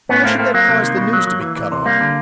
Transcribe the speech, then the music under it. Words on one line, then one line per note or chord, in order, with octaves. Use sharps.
Why should that cause the news to be cut off?
A2 B3 C#4
A3 A#3 C4
A3 A#3 C4
F#3 A#3
C3
D#3
B2
F#3
F#3
E3
E3
C3
G3 A#3
D3